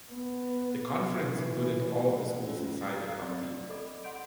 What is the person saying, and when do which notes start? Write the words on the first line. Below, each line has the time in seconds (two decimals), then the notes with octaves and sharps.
The conference included all of the schools inside the county.
0.13 B3
1.21 E3
2.46 C#4 F4
2.82 A#5 D#6 E6 A6
3.18 C4 D5
3.70 A4 D#5 B5 D6
4.04 F#5 C6 G6 D7